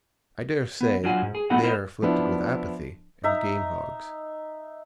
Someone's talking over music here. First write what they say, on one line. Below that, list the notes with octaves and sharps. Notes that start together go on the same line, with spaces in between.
I dare say they are afflicted with apathy, and game-hogs.
B3
F#3 D4 F4 F#5 G#5
G#2
G#4
A3 B3 D#4 F#4 F#5
B3 E4 A#4 C5 C#5 D#5
F3 B3 D4 E4
D#4 E5 A#5